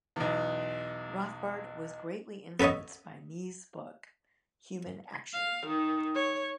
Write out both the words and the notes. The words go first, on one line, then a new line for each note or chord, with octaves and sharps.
Rothbard was greatly influenced by Mises' book, "Human Action".
B1 E2
B3 A4 B4 C#5 D#5
F5
D#3
C#5